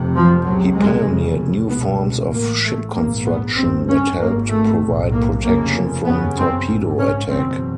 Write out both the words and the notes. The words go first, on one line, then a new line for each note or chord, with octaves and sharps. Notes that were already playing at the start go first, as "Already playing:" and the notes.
He pioneered new forms of ship construction that helped provide protection from torpedo attack.
Already playing: F1 F2 C3
F3
C#2 C3 F#3
G#3
F1 F2 C#3
C#2 B2 B3
A1 A2 A#3
A3
A#1 G#2 A#3
B3
G1 G2 C4
C#4
G#1 G#2 A#3
A3
B1 A2
A#3
F1 F2 C#3 A#3
G1 F#2 C#3 B3
C4
A#1 G#2
C#4
F#1 E2 B2 C4